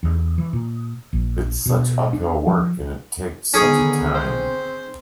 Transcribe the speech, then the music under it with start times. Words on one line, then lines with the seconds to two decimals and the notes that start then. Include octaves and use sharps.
It's such uphill work, and it takes such a time!
0.03 E2
0.38 E3
0.53 A#2
1.13 A#1
1.66 B2
2.13 D4
2.47 F3
3.54 D3 D#3 B3 C#4 G#4
4.15 C4 C5